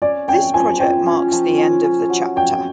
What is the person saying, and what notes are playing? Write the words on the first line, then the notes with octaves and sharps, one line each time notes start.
This project marks the end of the chapter.
C#4 D5
C#4 G5
F3 G#5
C#4 G5
C#4
F3
C#4
C#4
F#3
C#4 G5